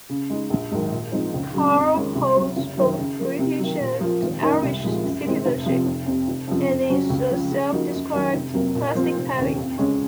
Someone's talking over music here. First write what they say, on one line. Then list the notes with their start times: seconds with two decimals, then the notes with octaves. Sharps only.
Carr holds both British and Irish citizenship and is a self-described plastic Paddy.
0.09 C#3
0.30 G#3 D#4
0.50 A#1
0.71 G#2 D#3 F#3
0.91 A#2
1.12 F3 G#3 C4 D#4
1.33 C#2
1.54 C#3 F#3
1.74 F2
1.94 D#3 G#3 C#4
2.15 C2
2.36 C3 F#3
2.56 F#1
2.77 F#2 D#3 F#3
2.98 C#3
3.18 F3 A#3
3.39 C3
3.59 D#3 F#3
3.80 A#2
4.01 F3 A#3 F4
4.22 G#1
4.42 F#2 D#3 A#3 D#4
4.62 C2
4.83 A#2 F3 G#3
5.03 F#2
5.24 D#3 G#3 C4
5.46 F1
5.66 F2 C3 F3
5.86 F1
6.06 F2 C3
6.28 F1
6.48 F2 C#3 F3
6.68 F2
6.89 C#3 F#3 C#4 F#4
7.09 C#2
7.31 C#3 F3
7.52 C#3
7.71 F3 A#3 D#4 F#4
7.93 F#2
8.13 D#3 F#3 C#4
8.34 F1
8.54 F2 C3 F#3 A#3
8.75 A#2
8.95 F3 C4 F4
9.17 F1
9.37 D#2 D#3 A#3 C#4
9.57 F2
9.78 C#3 G#3 C#4